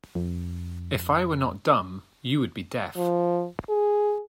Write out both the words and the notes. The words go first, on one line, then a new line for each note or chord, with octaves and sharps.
If I were not dumb, you would be deaf.
F2
F3
G#4